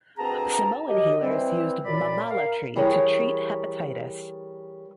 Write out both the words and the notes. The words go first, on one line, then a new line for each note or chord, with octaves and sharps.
Samoan healers use the mamala tree to treat hepatitis.
D2 B3 C4 G#4 A5 A#5
F#2 G4 D#5
E3 G3 C4
F#2 A#2 D5 B5
A#4 F5
E3 G3 G#4 A#4 C#5 A#5